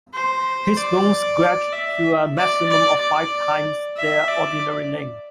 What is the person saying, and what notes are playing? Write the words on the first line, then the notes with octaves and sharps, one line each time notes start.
His bones stretch to a maximum of five times their ordinary length.
C5
D5
E5
D5
D5
D5
E5
D5